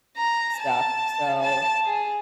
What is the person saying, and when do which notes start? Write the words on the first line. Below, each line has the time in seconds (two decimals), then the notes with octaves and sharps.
stuff so,
0.17 A#5
0.58 A5
1.41 A5
1.85 G#4